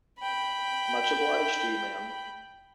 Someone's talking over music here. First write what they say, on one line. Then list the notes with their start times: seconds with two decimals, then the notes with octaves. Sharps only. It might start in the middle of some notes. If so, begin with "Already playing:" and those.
Much obliged to you, ma'am!
0.20 G5 B5